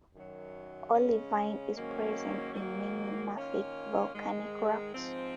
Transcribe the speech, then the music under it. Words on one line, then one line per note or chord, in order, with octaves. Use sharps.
Olivine is present in many mafic volcanic rocks.
F#2 D#3 F#3
C#3 G#3 C#4
G#2 D#3 F#3 A#3 C#4
G#2 D#3 F#3 A#3
D#3 A#3 C#4 F4
G#2 D#3 G#3
G#2 F3 C4